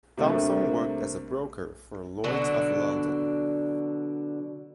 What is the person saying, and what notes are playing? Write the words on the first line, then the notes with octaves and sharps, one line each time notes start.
Thompson worked as a broker for Lloyd's of London.
C3 G3 A3 A#3 D4
B2 D3 F#3 D4